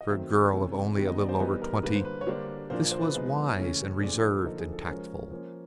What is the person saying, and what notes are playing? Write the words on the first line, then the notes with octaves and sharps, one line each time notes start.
For a girl of only a little over twenty this was wise and reserved and tactful.
D#5
D#3 F#3 A3 C4 E5
C3 E3 A3 C#4
D#3 G3 B3
D#5
D5
C5
E3 G3 B3 D#4 B4
A#4
D3 G3 A#3 B4
C5
B4
C#5
D3 G3 A#3 D4 C5
A#2 F3 A#3 D4 C5
D5
C5
B4
F3 G#3 B3 D#4
C#3 E3 A3 C#4
A#2 F3 A3 D4 G#4
A4
D3 F3 A#3 D#4 A4
G#4
A4
F3 G#3 C#4 A#4
F3 A#3 C#4